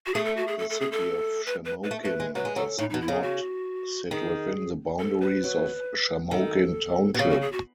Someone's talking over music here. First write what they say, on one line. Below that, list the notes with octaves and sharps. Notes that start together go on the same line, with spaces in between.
The city of Shamokin does "not" sit within the boundaries of Shamokin Township.
F#4
A3 G#4
A4
F#4
G#4
A4
A4
G#4
A4
B4
B4
B4
A3
A3 B4
G#3
F#3 B4
G#3
F#3 A4
A2 D#4
B2 D#4
E4
C#3 G#4
F#4
D#3 G#4
A4
B4
F#3
D#3 A4
B2
C#3 G#4
F#4
G#4
F#4